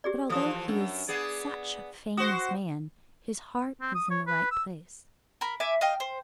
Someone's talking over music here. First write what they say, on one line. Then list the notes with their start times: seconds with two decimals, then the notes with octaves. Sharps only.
But although he is such a famous man his heart is in the right place.
0.04 G4 G#4 D5
0.30 E3 F3 A4 D#6
0.68 F#2 D4
1.08 B3 G#4 D5
2.17 F#4 C5 D#6
3.81 C4
3.95 D#6
4.11 C#5
4.27 B4
4.51 E6
5.41 A#4 B5
5.60 E5 G#5 D6
5.81 D#5 F5 G5
6.00 C5